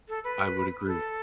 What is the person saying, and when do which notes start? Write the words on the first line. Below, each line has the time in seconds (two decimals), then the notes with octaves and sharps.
I would agree.
0.09 A4
0.24 B4
0.86 A4